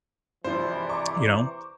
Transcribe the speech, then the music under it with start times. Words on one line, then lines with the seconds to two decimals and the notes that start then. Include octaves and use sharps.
you know,
0.44 G#1 G2 C3 E3 F3 C5 D5
0.89 A#5 C#6 D6